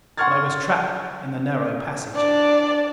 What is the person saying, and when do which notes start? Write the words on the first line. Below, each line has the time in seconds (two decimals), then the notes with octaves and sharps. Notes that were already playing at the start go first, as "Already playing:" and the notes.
But I was trapped in the narrow passage.
0.18 F#5 C6 C#6 F6 G#6 A6
2.14 D4 D5